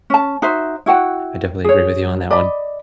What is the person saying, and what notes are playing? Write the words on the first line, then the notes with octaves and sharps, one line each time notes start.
I definitely agree with you on that one.
C#4 A5
D#4 F#4 C5 E5
E4 F#4 F#5 G5
G#4 C#5
D5 D#5 B5